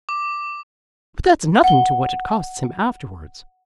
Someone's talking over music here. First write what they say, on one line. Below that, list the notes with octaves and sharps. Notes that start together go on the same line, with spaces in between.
But that's nothing to what it costs him afterwards.
D6
F#5 G7